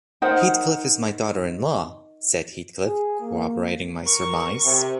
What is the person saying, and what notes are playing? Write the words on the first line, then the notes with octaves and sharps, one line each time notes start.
Heathcliff is my daughter-in-law,’ said Heathcliff, corroborating my surmise.
D#4 A#4 C5 F#5
G#4
A#3
A#4 C#6
C3